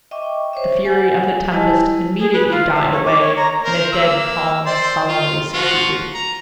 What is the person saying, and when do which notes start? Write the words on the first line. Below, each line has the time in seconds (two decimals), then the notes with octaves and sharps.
The fury of the tempest immediately died away, and a dead calm sullenly succeeded.
0.11 D#5 E5 G5 C#6 D6
0.53 C5 C#5 E5
0.85 F#5 G#5
1.52 G3 E4 G4 D#5 G#5 A5
2.19 G#4
2.33 B4
2.51 F4
2.75 E5
2.93 C#5
3.05 D6
3.21 C#5
3.37 A#5
3.65 A#4 C5
3.92 A#3 E6
4.66 C5 D5 C6
5.09 F4
5.54 F3 F4 F#4
6.14 A#5